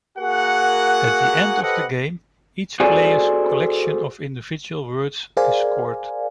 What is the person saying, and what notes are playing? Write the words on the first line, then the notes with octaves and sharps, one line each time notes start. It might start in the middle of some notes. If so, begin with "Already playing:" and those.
At the end of the game each player's collection of individual words is scored.
A#3 F#4 G#4 A#4 F#5
G4 A4 B4 C5 D#5 F#5
F#4 G#4 A4 C5 D5 G#5
G#4 A#4 C5 D5 F5 G#5